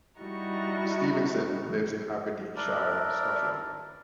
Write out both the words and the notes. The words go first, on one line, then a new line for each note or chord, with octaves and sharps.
Stevenson lives in Aberdeenshire, Scotland.
G3 D#4 E4 F#4 A#5 C#6
D4 E4 A#4 D5